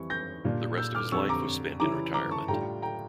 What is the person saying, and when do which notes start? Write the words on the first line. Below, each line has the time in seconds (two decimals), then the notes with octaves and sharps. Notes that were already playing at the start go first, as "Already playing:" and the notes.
The rest of his life was spent in retirement.
Already playing: F2 E3 G3 C#6
0.10 G6 A#6
0.44 A#2 G3 D4 F4
0.78 E6 G6
0.95 D6 F6
1.12 F2 D3 G3 C#6 E6
1.29 A#5 D6
1.80 C#3 E3 G3 C#4 E4 A#5 D6
2.14 A#5 D6
2.31 A5 C#6
2.48 A2 G3 D4 F4 G5 A#5
2.82 G5 A#5